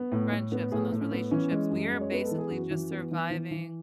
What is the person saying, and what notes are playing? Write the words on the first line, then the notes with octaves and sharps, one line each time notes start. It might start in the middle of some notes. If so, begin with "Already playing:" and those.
friendships, on those relationships, we are basically just surviving
Already playing: B3
A2
A2
B3
A2 G#4
A2
C#4
B3
E3 C#4
G#3
F#2
G#3
C#5
B3 B4
A4
E3
G#4
F#2 F#4
E3
B3
E3
E3
E3